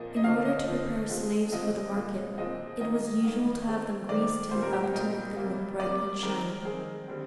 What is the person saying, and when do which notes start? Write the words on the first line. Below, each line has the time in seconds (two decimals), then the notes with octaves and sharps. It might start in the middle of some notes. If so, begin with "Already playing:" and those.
In order to prepare slaves for the market, it was usual to have them greased and rubbed to make them look bright and shining.
Already playing: A#2 F3 A#3 D#5
0.16 D#5
0.24 D3 F3 C4 F5
0.45 D#5
0.67 D3 F3 C4
1.09 C3 F3 G#3 C4
1.52 C3 F3 G#3 C4 D#5
1.95 A#2 F3 G#3 C4
2.38 A#2 F3 G#3 C4 D#5
2.81 D#3 A#3 D#5
3.24 D#3 A#3
3.66 D#3 G#3 C4
4.09 D#3 G#3 C4 D5
4.51 A#2 G3 C4 C5
4.62 A#4
4.73 G4
4.84 G4
4.94 A#2 G3 C4 D#5
5.37 C3 G3 A#3
5.80 C3 G3 A#3 D5
6.22 D#3 G#3 C4 A#4
6.65 D#3 G#3 C4 G#4
7.08 D3 G3 C4